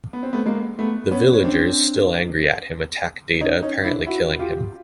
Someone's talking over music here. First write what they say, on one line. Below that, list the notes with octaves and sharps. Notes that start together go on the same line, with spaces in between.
The villagers, still angry at him, attack Data, apparently killing him.
B3
C4
A3 B3
G#3 A#3
A3 B3
B3 C#4
C#4
C4 D4
C#4 D#4
C#4 D#4
D4 E4
E4 F#4
F4 G4